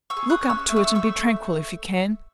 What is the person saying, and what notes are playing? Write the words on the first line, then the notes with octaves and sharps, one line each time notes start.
Look up to it, and be tranquil if you can.
C#6 E6
G#4
D#6 F#6
C#4
C#6 E6
A3 E6
F#6
C#6 E6
A3 C#6 E6